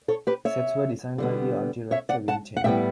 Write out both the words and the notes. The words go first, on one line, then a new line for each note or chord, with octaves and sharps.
Sets were designed by the art director Vin Taylor.
A4 C#5
G4 B4
C#5 E5
D3 G3 B3
C#5 E5
D5 F#5
F#5 A5
F#5
A2 G3 B3 E5 G5